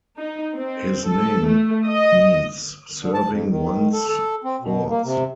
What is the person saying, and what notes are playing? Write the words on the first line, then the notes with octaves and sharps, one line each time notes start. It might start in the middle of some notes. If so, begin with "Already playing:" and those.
His name means serving one's thoughts.
D#4
C4
A4
A3
D#5
D3
A5
F2
D#3
A4
A4
C4
B2
A#3
C3